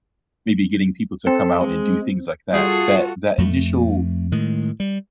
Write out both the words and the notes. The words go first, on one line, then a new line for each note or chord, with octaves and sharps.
maybe getting people to come out and do things like that that that initial
C4 A4
G#3
G3 F4 F#4 G#4 A4
F2 A3
A2 D#3 G#3
G3